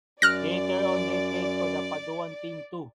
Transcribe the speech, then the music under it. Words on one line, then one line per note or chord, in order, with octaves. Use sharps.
Later on they played for the Paduan team too.
F#2 D5 F6 F#6 A#6